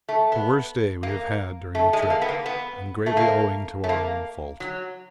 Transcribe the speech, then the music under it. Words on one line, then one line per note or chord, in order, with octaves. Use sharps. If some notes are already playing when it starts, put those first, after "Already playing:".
The worst day we have had during the trip and greatly owing to our own fault.
A3
B3
A#3
A3
G#3
A3
A#3
B3
A#3
B3
A3
A#3
A3
A#3
F#3